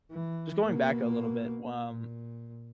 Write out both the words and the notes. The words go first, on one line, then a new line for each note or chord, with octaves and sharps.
just going back a little bit, um,
E3
B2 A#3
A#2